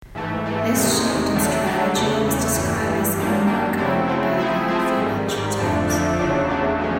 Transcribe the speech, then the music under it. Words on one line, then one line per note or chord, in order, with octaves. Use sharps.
This shift in strategy was described as "remarkable" by the "Financial Times".
G#2 E3 A3
G#2 E3 A3
E2 C3 D#3 G#3
E2 C3 D#3 G#3
D3 F#3 A3 D4
D3 F#3 A3 D4
E2 C#3 E3 A3
E2 C#3 E3 A3
G2 E3 G3
G2 E3 G3
F#2 D#3 G3 A#3 D4
F#2 D#3 G3 A#3 D4
C#3 F#3 A3 C4 E4
C#3 F#3 A3 C4 E4
F3 A3 C4 E4 G#4
F3 A3 C4 E4 G#4
G#2 D#3 G3
G#2 D#3 G3
F2 D3 F3 A3 D4
F2 D3 F3 A3 D4
E2 C#3 F#3 A3 D4
E2 C#3 F#3 A3 D4
F3 G#3 C#4